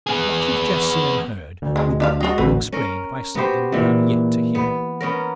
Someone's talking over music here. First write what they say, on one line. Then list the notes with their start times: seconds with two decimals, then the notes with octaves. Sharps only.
What you've just seen and heard, will be all explained by something you have yet to hear.
0.07 B3 G#4
1.62 D2
1.76 D#3 G#3
2.00 D4 E5 F5
2.21 F#3 D4 F#4 D#5
2.38 A1 D2 C4 F#4 B4
2.72 C#4 A#4
3.35 B3 F#4 G4 C5
3.72 A#2 E3
4.55 B3
5.01 B3 C#4 A#4